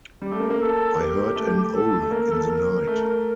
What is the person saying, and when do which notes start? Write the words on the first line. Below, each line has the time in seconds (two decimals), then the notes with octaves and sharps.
I heard an owl in the night.
0.21 G3 G4
0.31 A3
0.40 A#3
0.50 A#3
0.59 A4
0.97 G4
1.36 A3
1.74 A4
2.02 A3
2.11 A#3 A#4
2.31 A4
2.49 A#4
2.87 A3